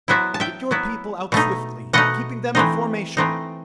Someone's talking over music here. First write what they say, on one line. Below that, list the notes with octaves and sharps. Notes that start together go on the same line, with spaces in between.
Get your people out swiftly, keeping them in formation!
F#3 B3 E4 C5 E5
A5
E5 G5
F#3 B3 E4
B2 A3 D#4
B2 A3 D#4 D#5 F#5
E3 A3 C4 D#4
E3 A3 C4 D#4